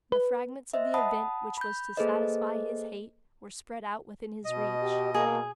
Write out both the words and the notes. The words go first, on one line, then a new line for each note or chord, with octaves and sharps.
The fragments of the event which was to satisfy his hate were spread out within his reach.
B4
C5 D#5 E5
F#5 A5 B5 D#6
B5 G6
A#3 G#4 A4 B4 C5 D#5
B2 D#5
G4
A#3 G#4